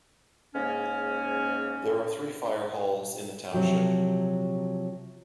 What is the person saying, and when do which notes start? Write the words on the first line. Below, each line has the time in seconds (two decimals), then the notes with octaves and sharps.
There are three fire halls in the Township.
0.54 G#2 C#3 A#3 C#4
3.53 C3 F3 F#3 G5